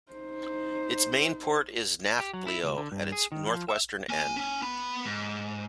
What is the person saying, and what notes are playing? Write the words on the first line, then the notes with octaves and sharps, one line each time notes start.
Its main port is Nafplio, at its northwestern end.
D#4 C5
G4
F#3
E4
C#2
D3
G2
G#4
D#3
F3
E5
A#3 G#5
C#4 G#5
B3 B5
G#2